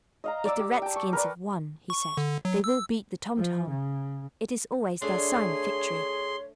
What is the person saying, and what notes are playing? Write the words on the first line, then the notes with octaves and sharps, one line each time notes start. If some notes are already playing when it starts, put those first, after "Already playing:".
'If the redskins have won,' he said, 'they will beat the tom-tom; it is always their sign of victory.'
D#5 F5 A#5
D5 D6 E6
G4
G5 A5
C#6
A#4 B4 D5
C#6
D3
F#3
E6
F3
C#3
A3 D4 G#4 C#5 C6